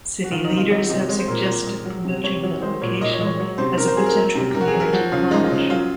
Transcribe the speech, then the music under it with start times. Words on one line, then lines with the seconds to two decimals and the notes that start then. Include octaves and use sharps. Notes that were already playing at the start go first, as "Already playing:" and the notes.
City leaders have suggested promoting the location as a potential community college.
0.24 F#4
0.31 D#3 F4
0.45 D#4
0.51 C3
0.57 F4
0.70 F#3 D#5
0.90 C3 D#5
1.08 G#3 C#5
1.19 C5
1.28 A#2 A#4
1.47 A#2
1.66 G#3
1.85 F#3
2.05 C3
2.24 C3 C#5
2.43 F#3
2.62 G#3 C5
2.81 A#2 C#5
3.01 A#2 D#5
3.13 C#5
3.21 G#3
3.27 C#5
3.39 F#3 C#5
3.58 C3 C5
3.78 C3 A#4
3.88 C5
3.97 F#3 G#4
4.06 A#4
4.16 F#3
4.35 C3
4.54 C3 A#4
4.61 F#4
4.67 G#4
4.74 F#3
4.80 A#4
4.93 F3 F#4
5.12 C#3 F4
5.31 G#3 D#4
5.44 F4
5.50 C#3
5.70 F#3 F4